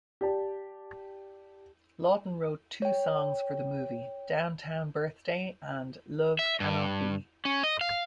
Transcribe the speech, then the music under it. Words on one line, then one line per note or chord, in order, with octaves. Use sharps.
Lawton wrote two songs for the movie, "Downtown Birthday" and "Love Cannot Be".
G4 D5 A5
C#5 G5
E5
G2
C#4
D#5
F5